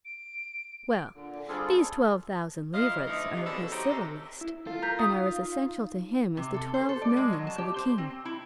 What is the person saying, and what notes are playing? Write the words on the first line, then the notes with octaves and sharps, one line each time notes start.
Well, these twelve thousand livres are his civil list, and are as essential to him as the twelve millions of a king.
D7
A#2 D3
G3 C4 D4 F4 G#4 A4
F2 E4 D#5 F5
D2 A3 D#4 E4
C3
B2 D3 F3 D4 G#4 A4
D#4 F#4 G4 C5 C#5 D#5
C3 A4
E4
F4 A4
A#4 A#5 G6 B6
D#4 D#6
C3
A4
C5
A4
D5
G#3
F#3
A5
G4
C5
C4
E4